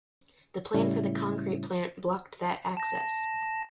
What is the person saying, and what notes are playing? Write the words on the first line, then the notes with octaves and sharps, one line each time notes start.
The plan for the concrete plant blocked that access.
A2 C#3 G3 C#4 E4
A5 A#6